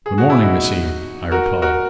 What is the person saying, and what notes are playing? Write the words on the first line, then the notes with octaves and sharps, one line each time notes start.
"Good morning, Miss Eve!" I replied.
G#4
F#4
E4
D#4 F#4
F#4 A#4
F#4 A#4